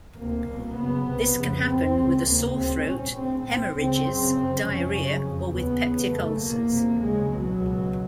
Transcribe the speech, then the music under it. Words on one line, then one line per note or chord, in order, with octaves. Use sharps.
This can happen with a sore throat, hemorrhages, diarrhea, or with peptic ulcers.
D2 C3 A#3
C2 B2
F#2 C#3 B3
C2 C3
F2 C#3
F2 C3 C4
C#2 C#3
D#2 C#3 A#3
D2 C#3 C4
C2 A#2 C#4
D2 C#3 C4
C2 A#2 C4
C#2 C#3 C4
F#2 C#3
F#2 C#3
F2 C3 C#4
F#2 C#3
F2 C#3
D#2 C#3 B3
E2 C#3
F#2 C#3 A3
E2 B2 A#3
E2 C3
D#2 C#3 G#3
C2 B2 F#3
C#2 B2